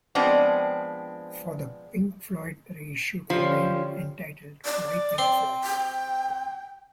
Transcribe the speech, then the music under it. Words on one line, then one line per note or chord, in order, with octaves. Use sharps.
For the Pink Floyd reissue campaign entitled Why Pink Floyd...?
F3 G#3 B3 C4 D4
D3 F3 G3 C#4
D5
C4 C6
G5